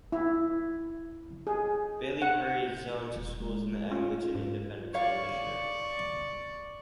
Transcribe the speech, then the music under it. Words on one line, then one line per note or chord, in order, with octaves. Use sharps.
Bailey's Prairie is zoned to schools in the Angleton Independent School District.
E4
G#4
F#5
E1
G#3
C#4 F4
G#2
C#5 D5 F5 C#6